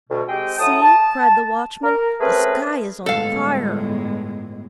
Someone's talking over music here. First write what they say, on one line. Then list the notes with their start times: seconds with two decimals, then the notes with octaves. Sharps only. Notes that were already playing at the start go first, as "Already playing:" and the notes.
"See!" cried the watchman, "the sky is on fire!"
0.10 D2 B2
0.28 G#3 C4 G4 C5 D#5 G5
0.59 A2 F#3 E4 A5 D#6
0.82 A5
1.83 A#4
2.20 A3 C4 C#4 G#4 A#4 B4
3.06 G1 A2 G#3 B3 A4 F5